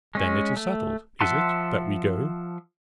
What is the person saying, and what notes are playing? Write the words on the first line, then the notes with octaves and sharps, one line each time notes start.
"Then it is settled, is it, that we go?"
G#3 C#4
A3
F3 E5 F#5 A5 C6